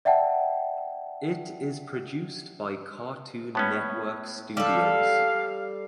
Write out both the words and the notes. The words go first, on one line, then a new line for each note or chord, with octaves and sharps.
It is produced by Cartoon Network Studios.
D5 E5 F#5 G5 A5
A2 B3 C#4
G3 A4 F5